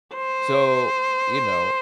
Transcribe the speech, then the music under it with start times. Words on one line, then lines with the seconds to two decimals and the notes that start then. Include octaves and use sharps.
So, you know
0.15 C5